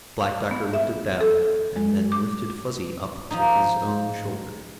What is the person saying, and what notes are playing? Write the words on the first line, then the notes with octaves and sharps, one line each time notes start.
The Black Doctor looked at Dal, and then lifted Fuzzy up to his own shoulder.
F5
B3
E5
A4
G#3
D6
F3 D#4